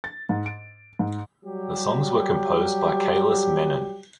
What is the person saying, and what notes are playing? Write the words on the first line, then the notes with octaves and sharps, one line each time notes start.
The songs were composed by Kailas Menon.
A6
G#2
D7
G#2
F#3 G3 G4